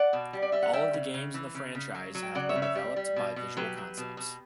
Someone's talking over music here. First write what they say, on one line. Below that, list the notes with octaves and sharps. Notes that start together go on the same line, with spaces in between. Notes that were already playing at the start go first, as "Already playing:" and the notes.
All of the games in the franchise have been developed by Visual Concepts.
Already playing: D5 F#5
B2
G3
D5
G3 E5
F#5
G3 E5 G5
C#3
C#3
E3
C#3
C#3
F#3
F#3
G5
C#3 D5 F#5
C#5 E5
C#3
C#5 E5
G3
G3
B2
B2
F#3 G4 B4
F#3
B2
B2